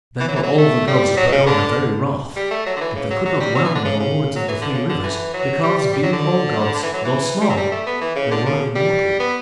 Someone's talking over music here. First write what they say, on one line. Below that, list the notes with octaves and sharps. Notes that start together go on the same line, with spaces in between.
Then were all the gods of Pegana very wroth; but They could not whelm the lords of the three rivers, because being home gods, though small, they were immortal.
E3
F#3
E3
F#3
A3
G3
F#3
B2
C#3
D3
G3
A3
F#3
D3
E3
C#3
F#3
F#3
G3
F#3
E3
D3
C#3
C#3
F#3
E3
D3
C#3
D3
E3
F#3
G3
G3
G3
F#3
D3
E3
F#3
E3
G3
F#3
G3
A3
B3
E3
C#3
D3
C#3
G3
B3